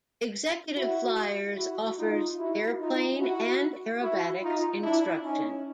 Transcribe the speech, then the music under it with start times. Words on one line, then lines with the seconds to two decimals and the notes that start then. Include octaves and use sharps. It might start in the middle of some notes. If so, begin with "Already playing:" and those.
Executive Flyers offers airplane and aerobatics instruction.
0.75 E4 F#4
1.57 E4 F#4
1.97 D#4 F4
2.39 E4 F#4
2.79 D#4 F4
3.19 E4 F#4
4.01 E4 F#4
4.42 D#4 F4
4.82 D4 E4
5.24 C#4 D#4